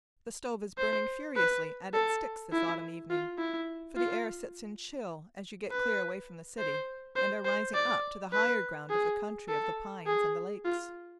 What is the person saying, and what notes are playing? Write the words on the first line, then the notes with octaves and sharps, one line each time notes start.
The stove is burning furiously at its sticks this autumn evening, for the air sets in chill as you get clear away from the city and are rising up to the higher ground of the country of the pines and the lakes.
C5
B4
A4
E4
F4
E4
F4
B4
C5
C5
C5
D5
B4
G#4
A4
G#4
F4